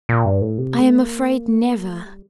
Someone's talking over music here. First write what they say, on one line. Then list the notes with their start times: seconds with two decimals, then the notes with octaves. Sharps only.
I am afraid never....
0.09 A#2
0.25 G2
0.42 A2
0.58 C3
0.79 A3
1.01 A#3
1.89 A3
2.05 G3